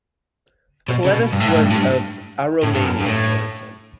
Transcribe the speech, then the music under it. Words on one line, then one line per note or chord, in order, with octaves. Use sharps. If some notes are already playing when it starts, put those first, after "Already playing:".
Kolettis was of Aromanian origin.
B2
C#3
B2
G2
A2
G2
A2
G2
A2
G2
A2
G2
F#2
G2
A2